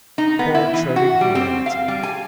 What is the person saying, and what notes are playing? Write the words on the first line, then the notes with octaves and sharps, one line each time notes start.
Poor, toadying humanity!
D#4
B3
E4
E3
F#4
G3
C4
F5
G3
G#5